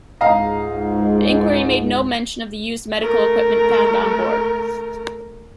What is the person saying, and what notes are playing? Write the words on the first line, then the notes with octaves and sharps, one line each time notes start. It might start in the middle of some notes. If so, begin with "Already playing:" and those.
The inquiry made no mention of the used medical equipment found on board.
C#2 G#2 D#5 F5 A#5
A3 A#4